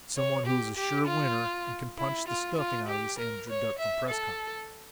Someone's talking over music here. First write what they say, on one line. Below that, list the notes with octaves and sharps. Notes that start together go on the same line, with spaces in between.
Some one who is a sure winner, and can punch the stuffing out of this amateur duck from Prescott.
C#5
G4
G4
F4
E4
F4
F4
G4
A#4
C#5
E5
A4